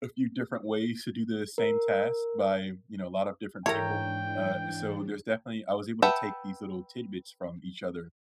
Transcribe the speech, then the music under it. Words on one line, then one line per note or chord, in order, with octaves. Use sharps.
a few different ways to do the same task by, you know, a lot of different people. Uh, so there's definitely I was able to take these little tidbits from each other
A#4
G#2 E3 D4 E4 A#4 C#5 G5 A#5
B4 E5 F#5 G5 A5